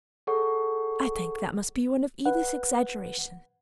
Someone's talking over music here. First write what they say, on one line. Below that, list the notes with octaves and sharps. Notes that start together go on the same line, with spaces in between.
'I think that must be one of Edith's exaggerations.
G#4 A4 C#5 F#5 C#6
B4 F#5